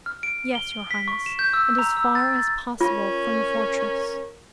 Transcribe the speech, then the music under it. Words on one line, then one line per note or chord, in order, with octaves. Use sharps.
"Yes, your highness, and as far as possible from the fortress."
F6
D7
G7
B6
C#6
E7
G6
E6
A#5
E6
A6
A6
C#4 F4 A#4